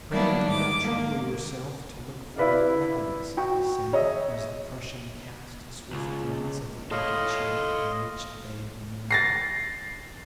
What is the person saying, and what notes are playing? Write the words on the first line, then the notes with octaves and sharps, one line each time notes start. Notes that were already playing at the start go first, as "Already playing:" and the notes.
"Pray do not trouble yourself to look for your weapons," he said, as the Prussian cast a swift glance at the empty chair in which they had been laid.
F#3 G3 A#3 B3 D4 E4
G#2 D6
A#3
E4 B4 D5 F5
F#4 G5 C#6
G#4 C#5 D#5 E5
C#2
A4 C#5 D#5 F5 C6
A6 A#6 C7